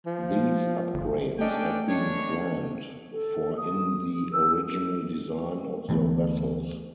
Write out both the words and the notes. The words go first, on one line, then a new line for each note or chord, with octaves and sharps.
These upgrades had been planned for in the original design of the vessels.
F3
G1
A3 C#4 D4 D#5 G5
D4 C#5
A4
D#6
E6
D2 E3 A3 B3